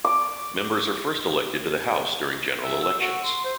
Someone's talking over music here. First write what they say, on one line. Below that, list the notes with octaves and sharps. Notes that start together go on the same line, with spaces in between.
Members are first elected to the House during general elections.
D6
E5
E6
F#4
C6
C5